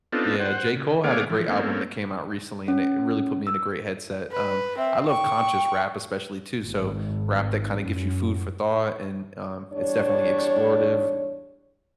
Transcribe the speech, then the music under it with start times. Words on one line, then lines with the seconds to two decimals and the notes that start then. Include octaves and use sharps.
Yeah, J. Cole had a great album that came out recently, and it really put me in a great headset, um, I love conscious rap especially too, so rap that kinda gives you food for thought and, um, it's definitely explorative,
0.13 B3 C4 D4 D#4 F4 A4
0.40 C5 F#5
0.76 C#3
1.04 A3 B3 G#4 C#5 F5 D6
1.30 E3 F3
1.49 A3 A#3 C4 C#4
2.68 C#4
3.47 E6
4.32 B4
4.78 C4 E5
5.09 G5 C#6
6.63 G#1
7.79 F#2
9.73 E2 G3 D4 C#5